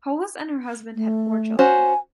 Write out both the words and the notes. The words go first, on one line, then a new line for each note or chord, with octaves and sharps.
Polis and her husband had four children.
A3
C#4 F#4 C5 G#5